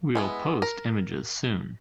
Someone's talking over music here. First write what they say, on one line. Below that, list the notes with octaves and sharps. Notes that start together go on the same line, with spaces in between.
We'll post images soon.
G#3 B3 E4
A#4